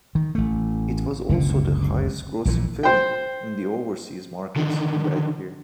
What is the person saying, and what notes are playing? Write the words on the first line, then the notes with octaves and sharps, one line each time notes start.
It was also the highest-grossing film in the overseas markets that year.
D#3
A1 A3
F#1 C#2 B2 D3
A#1 A#2 E3
C5 G5
D3 D#3